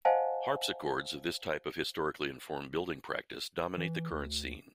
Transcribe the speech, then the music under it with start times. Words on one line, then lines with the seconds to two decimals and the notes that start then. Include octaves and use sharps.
Harpsichords of this type of historically informed building practice dominate the current scene.
0.05 C5 D#5 F5 F#5 G#5 A5
3.78 E3
4.12 D2